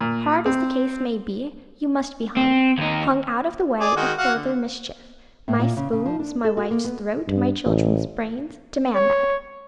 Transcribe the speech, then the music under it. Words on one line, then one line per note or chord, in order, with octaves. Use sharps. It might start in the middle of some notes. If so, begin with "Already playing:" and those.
Hard as the case may be, you must be hung; hung out of the way of further mischief; my spoons, my wife's throat, my children's brains, demand that.
A#2
C4
C4
D#2 D#4
G#4 D5
D#3 G#3 F#4
F#4 F5 F#5
D3
A2
A#2
C#3
C#3
F3
D4
A4
F#4
A#3
B3
G2
A1
C#5